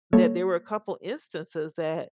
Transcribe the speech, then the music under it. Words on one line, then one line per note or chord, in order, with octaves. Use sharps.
That there were a couple instances that
G3 A#3 A4 C#5